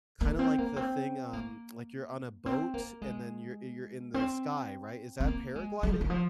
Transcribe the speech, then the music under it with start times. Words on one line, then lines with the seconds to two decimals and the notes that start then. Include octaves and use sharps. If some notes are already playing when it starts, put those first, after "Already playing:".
kinda, like, the thing, um like, you're on a boat, and then you're you're in the sky, right? Is that paragliding?
0.21 A#3
0.39 C4
0.58 A#3
0.76 C4
1.33 A#3
2.46 C4
2.74 A#3
3.02 G#3
4.14 C4
5.20 C4
5.27 A#3
5.55 G#3
5.83 G3
5.92 F3
6.01 D#3
6.10 F3